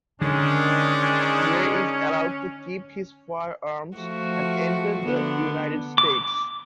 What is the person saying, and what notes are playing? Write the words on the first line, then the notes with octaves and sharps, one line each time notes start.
Ray is allowed to keep his firearms and enter the United States.
D3 D#3 G#3 C#4 D4
F3 A3 F#4
D3 B3
D6